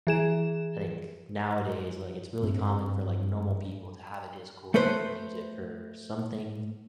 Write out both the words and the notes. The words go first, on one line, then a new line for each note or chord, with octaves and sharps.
I think nowadays, like, it's really common for, like, normal people to have a Discord, and use it for something,
E3 G#4 E7
G2 C4 D4
A3 A4 B4 C5